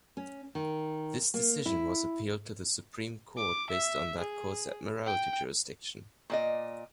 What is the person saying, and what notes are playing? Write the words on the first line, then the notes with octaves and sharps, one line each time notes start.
This decision was appealed to the Supreme Court based on that court's Admiralty jurisdiction.
C#4
D#3
A#3
E4
D6
E5
G#4
G5
A#2 D5 D#5